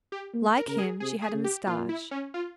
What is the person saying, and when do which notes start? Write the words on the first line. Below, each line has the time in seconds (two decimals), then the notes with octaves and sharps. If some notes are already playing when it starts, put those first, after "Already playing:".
Like him, she had a mustache.
0.12 G4
0.34 A#3
0.56 A#4
0.67 C#3 A#4
0.78 G#4
1.00 C3 G#4
1.22 G#4
1.34 C#3
1.44 G4
1.67 A#2 F4
1.89 E4
2.11 C#4
2.34 F4